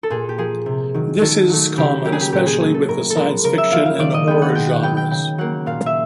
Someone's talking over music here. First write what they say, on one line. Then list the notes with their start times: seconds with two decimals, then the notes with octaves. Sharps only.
This is common especially with the science fiction and horror genres.
0.03 A4
0.10 A#2 G#4
0.29 G4
0.38 F3 A#3 G#4
0.66 C3
0.94 D#3 F#3
1.21 D#3 A4
1.50 F#3 A3
1.77 C#3 G4
2.05 F#3 A#3 G4
2.12 G#4
2.21 G4
2.32 A#2 G4
2.47 G#4
2.60 F#3 A3 G#4
2.74 A4
2.88 A2 A#4
3.10 A4
3.16 F3 G#3 B3 A#4
3.44 C#3 A#4
3.58 E5
3.72 F3 A#3 F5
3.86 F5
3.99 D#3 D5
4.14 D#5
4.27 G#3 B3 G5
4.42 F#5
4.55 B2 G5
4.69 F#5
4.83 F#3 B3 G5
4.97 G5
5.11 C#3 G5
5.38 F#3 A#3 F#5
5.66 A#2 F5
5.86 E5